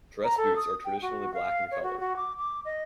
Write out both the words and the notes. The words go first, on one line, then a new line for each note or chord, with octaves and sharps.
Dress boots are traditionally black in color.
A#5
A4
D#6
G5
F#4
F5
C#5
F#4
F#4
D6
D6
D#5